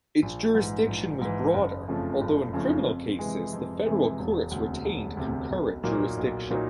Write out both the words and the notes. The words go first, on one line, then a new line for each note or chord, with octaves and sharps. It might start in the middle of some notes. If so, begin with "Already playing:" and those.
Its jurisdiction was broader, although in criminal cases the federal courts retained concurrent jurisdiction.
A#1
G#2 E3
A#1
G#2 E3
F#1
F2 C#3 F3 A3
F#1
F2 C#3 F3 A3
F2
C3 E3 G#3
F2
C3 E3 G#3
E1
D2 C3
E1
D2 C3
B1
A#2 F#3 A#3 D#4
B1
A#2 F#3 A#3 D#4